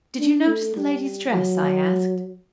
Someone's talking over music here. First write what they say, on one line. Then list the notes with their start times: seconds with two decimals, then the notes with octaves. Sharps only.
"Did you notice the lady's dress?" I asked.
0.20 D4
0.47 A3
0.76 G3
1.32 F#3